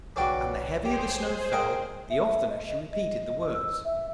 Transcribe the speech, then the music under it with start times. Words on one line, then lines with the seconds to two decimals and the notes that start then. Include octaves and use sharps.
And the heavier the snow fell the oftener she repeated the words.
0.16 B1 C#3 E3 D4 F#4 C#5 G5 D6
0.84 G4 G#4 C5 D#6
1.53 G#3 A#4 D#5 G5 G#5
2.10 E5
2.50 D#5
2.92 D#5
3.54 E6
3.85 E5